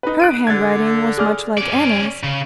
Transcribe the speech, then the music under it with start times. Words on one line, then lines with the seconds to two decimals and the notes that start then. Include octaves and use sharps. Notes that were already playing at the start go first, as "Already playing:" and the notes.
Her handwriting was much like Anna's.
0.03 D#4 B4
0.20 F#6 D7 D#7
0.47 D3 G#6 A6
1.17 G#4 D5 F6
1.58 C#4 D5
2.23 C#3